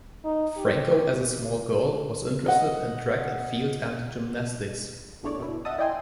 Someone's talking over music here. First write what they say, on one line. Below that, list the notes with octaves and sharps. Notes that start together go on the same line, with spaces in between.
Franco as a small girl was interested in track and field and gymnastics.
D#4
G4
D#5 F#5
G1 E2 A3 D4 C#5 D5
F#2 B2 E4
D#5 E5 F#5 A5 D#6
E4 D5 D#5 G5 G#5 C6